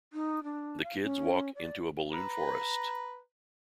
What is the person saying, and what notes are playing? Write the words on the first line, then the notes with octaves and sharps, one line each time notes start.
The kids walk into a balloon forest.
D#4
D4
F5
C#4
D5
B4 A#5